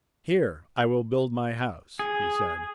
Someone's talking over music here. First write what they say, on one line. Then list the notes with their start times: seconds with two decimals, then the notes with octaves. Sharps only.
"Here I will build my house," he said.
1.99 G#4